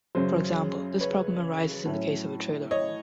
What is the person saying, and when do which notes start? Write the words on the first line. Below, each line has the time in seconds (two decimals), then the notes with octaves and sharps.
For example, this problem arises in the case of a trailer home.
0.15 F#2 C#3 F#3 C5
1.01 B4 C#5
1.85 A2 F#3 A3 C#4
2.71 C#5 D#5